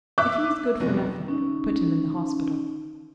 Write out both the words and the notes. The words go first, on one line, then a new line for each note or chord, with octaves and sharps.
If he is good for nothing, put him in the hospital.
E5 D6 E6 F#6
F1 B2
C#4 D#4